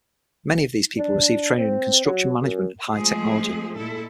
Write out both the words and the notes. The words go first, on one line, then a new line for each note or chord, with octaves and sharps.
Many of these people received training in construction management and high technology.
D4
C4
F#3
F#2
F3 G#3 A3 C4 G#4
A#2 G#3 E4 A4